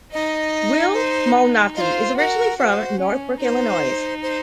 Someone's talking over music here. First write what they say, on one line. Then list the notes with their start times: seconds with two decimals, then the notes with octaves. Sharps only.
Will Malnati is originally from Northbrook, Illinois.
0.12 D#4 D#5
0.94 C5
1.76 F4 D#5
1.81 C5
2.17 F#4 A#4
2.59 F#4 C5
2.99 C#4
3.40 D#4 C5
4.22 C5